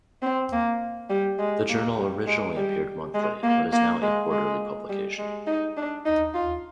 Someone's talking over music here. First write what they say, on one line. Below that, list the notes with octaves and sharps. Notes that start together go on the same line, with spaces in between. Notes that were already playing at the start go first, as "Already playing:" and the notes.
The journal originally appeared monthly but is now a quarterly publication.
C4
A#3
G3
G#3
A#3
G3
G#3
G3
G#3
A#3
A#3
G#3
G#3
G3
G#3
D#4
D4
D#4
F4